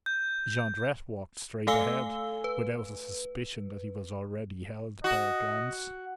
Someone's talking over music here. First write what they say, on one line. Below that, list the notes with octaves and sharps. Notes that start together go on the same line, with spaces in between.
Jondrette walked straight ahead, without a suspicion that he was already held by a glance.
G6
A3 A4 F5 G#5 E6 G7
B4
F#4 D#5